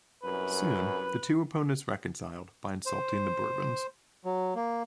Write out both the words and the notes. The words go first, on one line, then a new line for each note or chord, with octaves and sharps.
Soon the two opponents reconciled by insulting the Bourbons.
C2 F#2 B4
C5
F#3
A#3